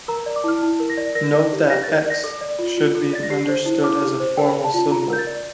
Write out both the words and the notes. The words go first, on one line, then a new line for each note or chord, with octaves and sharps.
Note that "x" should be understood as a formal symbol.
A#4 A#5
D5
D6
E4 F6
E4
A#4
A#6
D5
A#4 A#6
D5
G4
G4 A#6
A6
A#4
D5
A#6
A4
D5
F4
F4
A4
D5 A6
A#6
G4 C7
C5
E4
E4 D6
G4
C5
A#4 G5
D5
A5
F4
F4 A#5
A#4 G6
A6
D5